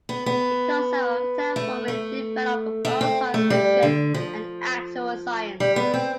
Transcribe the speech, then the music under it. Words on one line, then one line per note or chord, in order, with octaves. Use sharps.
The concept of terraforming developed from both science fiction and actual science.
B3
B3
A3
A3
A3
C4
A3
G3
D3
F3
G3
B3
C4